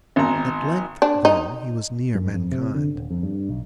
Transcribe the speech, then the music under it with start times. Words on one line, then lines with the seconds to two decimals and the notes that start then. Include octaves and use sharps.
At length, then, he was near mankind.
0.16 G#1 E2 A#5
1.02 D4
1.25 D#4
2.15 F#2
2.34 F2
2.52 C3
2.75 D3
2.95 D#1
3.10 F2
3.23 G2
3.49 B1